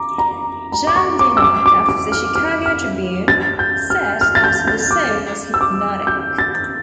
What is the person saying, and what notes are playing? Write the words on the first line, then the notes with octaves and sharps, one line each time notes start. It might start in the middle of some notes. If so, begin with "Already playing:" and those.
Jan DeKnock of the "Chicago Tribune" said that the song was "hypnotic".
Already playing: A#5 D6
A#5
A#5
D6
C#6
D6
E6
D6
D6
D6
F6
F6
F6
A6
G6
F6
F6
A6
G6
A6
D6
E6
D6
G6
A6